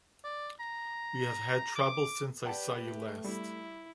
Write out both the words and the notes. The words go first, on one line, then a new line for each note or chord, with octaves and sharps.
We have had trouble since I saw you last.
D5
A#5
D6
G4 B4 D5 F#5 G5 A5
A3
G3 E4